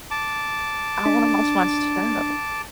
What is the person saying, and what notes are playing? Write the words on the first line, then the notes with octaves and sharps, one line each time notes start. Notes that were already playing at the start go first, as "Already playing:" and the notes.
I wanna watch my show.
A5 D6
D4